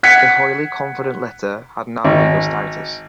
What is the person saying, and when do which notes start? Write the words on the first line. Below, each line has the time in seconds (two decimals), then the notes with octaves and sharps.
The highly confident letter had no legal status.
0.03 F#5 F#6 G#6 B6 C#7
2.05 G#1